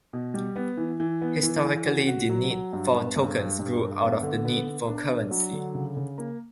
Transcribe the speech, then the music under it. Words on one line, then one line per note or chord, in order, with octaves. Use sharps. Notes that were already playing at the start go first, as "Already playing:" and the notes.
Historically the need for tokens grew out of the need for currency.
B2
G3
B3
E3
E3
B3
E3
E3
F#4
F#4
F#3
F#3
G2
B3
G2
G2
G2
G2
B3
D3
B3
B3
D4
D4
F#3
D3
C#3
C#3
A#3